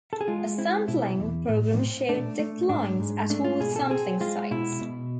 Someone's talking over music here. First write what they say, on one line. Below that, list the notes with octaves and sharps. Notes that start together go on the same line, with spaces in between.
A sampling program showed declines at all sampling sites.
A4
G#4
G#3 F4
C4 E4
B2 E4
E2
A2
C4
A3 D4
A3
G#2 D4
G#2
A3 D4
F4
B2 G#4
A4
C4 G#4
G#3 F4
B2 E4
B2